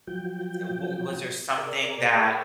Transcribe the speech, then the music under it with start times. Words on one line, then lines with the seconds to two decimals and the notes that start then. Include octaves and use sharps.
th wa was there something that
0.07 F3 F#3 G5
1.58 G#4 A#4 D5